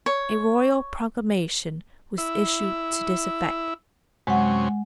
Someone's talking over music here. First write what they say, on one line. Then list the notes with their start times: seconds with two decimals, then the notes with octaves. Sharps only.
A royal proclamation was issued to this effect.
0.06 C#5
2.18 E4
4.27 F#2 C3 G#3 C#4 F#5